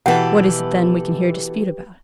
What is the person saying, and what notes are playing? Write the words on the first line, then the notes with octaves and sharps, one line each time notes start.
What is it then we can here dispute about?
B2 E3 G4 A4 B4 F#5 G5